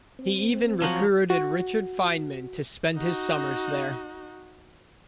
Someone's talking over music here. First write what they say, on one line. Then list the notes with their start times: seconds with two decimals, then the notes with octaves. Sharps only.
He even recruited Richard Feynman to spend his summers there.
0.19 C4
0.82 F3 F#3
1.30 F#4
2.96 D#4 F#4